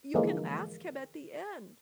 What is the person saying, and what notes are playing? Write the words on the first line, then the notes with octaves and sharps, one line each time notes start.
you can ask him at the end,
G#2 D3 E3 F3 G#3 A#3